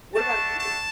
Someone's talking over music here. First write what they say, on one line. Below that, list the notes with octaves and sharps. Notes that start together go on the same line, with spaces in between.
What about you?
A3 D4 F#4 A5
A5